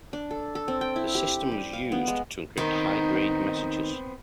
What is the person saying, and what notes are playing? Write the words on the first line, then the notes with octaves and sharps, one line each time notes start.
The system was used to encrypt high-grade messages.
D4
A4
A4
C4
G5
E4
G4
G3
F5
B3
G#3
D#3 B3 C4 D#4